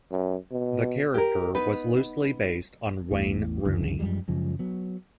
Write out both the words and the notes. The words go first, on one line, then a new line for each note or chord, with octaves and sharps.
The character was loosely based on Wayne Rooney.
F#2
B2
G4 A#4
B3 D#4 B4
A1 E2 A2
C#2 F#2 D3 E3
F#2 F3 G3 G#3
F#2 C#3 F3 G#3
F#3 B3